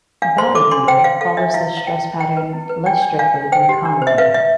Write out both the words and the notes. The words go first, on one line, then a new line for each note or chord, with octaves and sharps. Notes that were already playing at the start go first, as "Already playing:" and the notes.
Ballad metre follows this stress pattern less strictly than common metre.
D4 F5
C5 C6
A4 D6
D4 C6
C5 G5
C5 F5
A4 F5
D4 E5
E4 F5
E4
F5
E4 G5
E4
B4 G5
B4
E4
B4
D4 G5
D4
D4 F5
D4
C5 G5
G4
D4
C5
E5
B4 F5
B4 E5